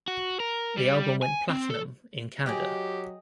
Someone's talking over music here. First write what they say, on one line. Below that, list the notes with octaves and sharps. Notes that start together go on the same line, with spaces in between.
The album went Platinum in Canada.
F#4
A#4
G3
G#5
C4
A4
F#3 G4 G#4 D#5 G5